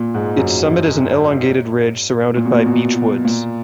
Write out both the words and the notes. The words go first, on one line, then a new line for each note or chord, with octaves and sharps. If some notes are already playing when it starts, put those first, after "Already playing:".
Its summit is an elongated ridge surrounded by beech woods.
Already playing: A#2
G#2
F#2
A#2
B2
A#2
B2
B2
A#2